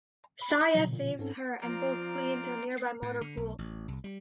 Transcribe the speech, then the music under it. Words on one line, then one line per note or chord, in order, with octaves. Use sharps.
Saya saves her and both flee into a nearby motor pool.
B5
B2 D3 F3 F#3
A#2
G#2 C4 C#4 A4
F3 C4 D5 F5 A#5
A2
D3
B1
A1
C2
G3